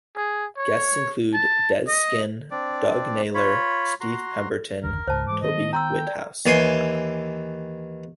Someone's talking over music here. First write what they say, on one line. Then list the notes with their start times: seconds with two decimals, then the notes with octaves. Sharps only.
Guests included Dez Skinn, Doug Naylor, Steve Pemberton, Toby Whithouse.
0.16 G#4
0.57 C#5
1.34 A5
1.88 D#5
2.51 C4 D4 D5
3.34 F4 C#5 B5
4.01 F#4 A#5 C6
4.83 F#1 D#2 D3 A#4
5.07 C#2 G#2 C5 A5
5.28 G#2 E3 G#3 D6
5.42 D#3 A#3 B3 D#5
5.73 G5 A#5 C6 E6
6.07 D5
6.46 D#2 E3 G#5 C6